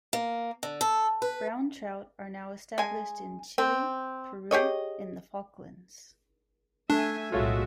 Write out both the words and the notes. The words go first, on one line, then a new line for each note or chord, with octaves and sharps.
Brown trout are now established in Chile, Peru, and the Falklands.
A#3
D3
A4
B4
G#3 G#5
C4
G4 G#4 C#5 D#5
A3 D4 E5 G#5
B1 A2 G#3 F4 F#4 A4 C#5 E5